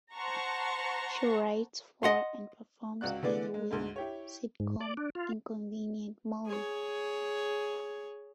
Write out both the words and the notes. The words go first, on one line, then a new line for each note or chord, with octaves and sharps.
She writes for and performs in the web sitcom, "Inconvenient Molly".
C5 F#5 A5 A#5 C6 C#6
D#5 F#5 C6
C#2 F#4 D5 F#6
D3 E3 B3 G#4 D5
G#3
D2 G#2 G#3
E4 G4 C#5
G#2
D5
D4
F4
G#4 C#5